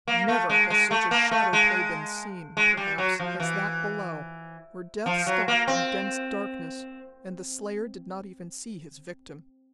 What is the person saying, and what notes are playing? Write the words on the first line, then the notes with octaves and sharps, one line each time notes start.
Never has such a shadow-play been seen, perhaps, as that below, where death stalked in dense darkness, and the slayer did not even see his victim.
A#3
A3
G#3
G#3
A3
A#3
A3
G#3
G#3
G3
F#3
F3
E3
F3
F#3
A#3
C4